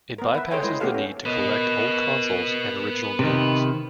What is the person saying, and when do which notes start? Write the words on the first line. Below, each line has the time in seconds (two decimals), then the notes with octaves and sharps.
It bypasses the need to collect old consoles and original games.
0.18 B3 A#4
0.35 B4 E5
0.51 G#4 A4 C5 C#5 G5 G#5
0.62 G#3 E4 B4 C5 D#5 G#5
0.80 A3 B3 G4 A4 F5
0.94 C#4
1.25 B3 A#4 B4 D#5
3.19 C3 D#3